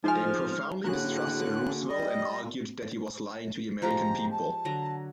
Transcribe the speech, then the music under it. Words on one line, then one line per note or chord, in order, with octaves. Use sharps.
They profoundly distrusted Roosevelt and argued that he was lying to the American people.
F3 G#3 D#4 C5 G#5 F6
A2 D3 A#3 F#4 G#4 F#6
G3 D#5
F3 G#3 G4 A#5
A5
D3 F#3 A#5